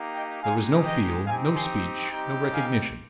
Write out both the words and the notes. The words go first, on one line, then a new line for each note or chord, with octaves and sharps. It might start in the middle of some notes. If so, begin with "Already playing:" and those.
There was no feel, no speech, no recognition.
Already playing: A#3 D#4 G4
D#5 G5
G#3 D#4 G4 F5 G#5
D#5 G5
C4 D#4 G4 F5 G#5
G#5 C6
G3 C4 D#4 G4 G5 A#5
F5 G#5